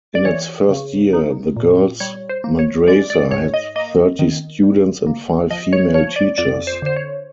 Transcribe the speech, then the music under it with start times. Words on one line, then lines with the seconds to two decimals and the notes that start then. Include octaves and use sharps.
In its first year, the girl's madrasa had thirty students and five female teachers.
0.15 D5
0.25 E3 C#5
0.69 C#3
1.13 D#4
1.57 A#2
2.00 G3 C#5
2.29 C5
2.44 A#3
2.59 C#5
2.88 G#3 D5
3.10 D5
3.31 G#2 C#5
3.54 D#5
3.76 A#3 D#5
4.19 D#3
4.63 G3
5.07 A#3
5.51 F3 D#5
5.73 C#5
5.94 F3 C#5
6.16 D5
6.38 F2 D5
6.67 C5
6.82 D3 C5
6.96 C#5